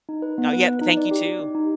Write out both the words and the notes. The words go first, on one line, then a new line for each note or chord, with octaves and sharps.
Oh, yeah, eh, thank you, too.
D#4
B4
B3
B4
B4
D#4
D5
G4
G4
D#4
D#4